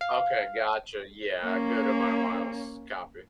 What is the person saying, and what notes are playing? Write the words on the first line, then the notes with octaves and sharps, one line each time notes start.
Okay, gotcha, yeah, good amount of miles. Copy.
F5
A#3 C#4